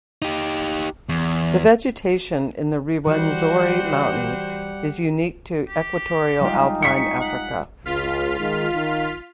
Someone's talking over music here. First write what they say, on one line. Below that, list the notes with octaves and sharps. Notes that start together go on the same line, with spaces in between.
The vegetation in the Rwenzori Mountains is unique to equatorial alpine Africa.
D#4 G4
E2
E3 G3 F#4 G4 C5 F#5
G4
G3 G#3 D#4 F4
C#6 B6 C#7
F#5
C#2 F4 F6 B6
D#3 G#3
D#3 F5